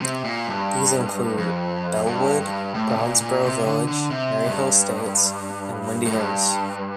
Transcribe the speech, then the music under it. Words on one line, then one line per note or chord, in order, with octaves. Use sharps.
These include Bellewood, Brownsboro Village, Maryhill Estates and Windy Hills.
C3
A#2
G2
F2
G2
G2
A2
C3
A#2
A#2
C3
D3
D3
C3
G2
A2
G2